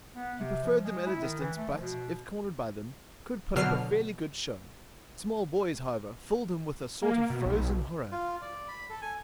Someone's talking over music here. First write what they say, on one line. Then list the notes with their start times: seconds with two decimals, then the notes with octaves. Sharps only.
He preferred them at a distance, but, if cornered by them, could put up a fairly good show. Small boys, however, filled him with a sort of frozen horror.
0.16 B3
0.39 C3
0.63 F3
0.84 G#3
1.06 E4
1.21 D#3
1.39 E3
1.58 A3
1.69 F3
1.81 B2
3.56 B2 D3 F#3 F6 C7
7.02 A#3
7.30 B2
7.46 B1
8.12 F4
8.42 D5
8.68 B5
8.90 A4
9.02 G#5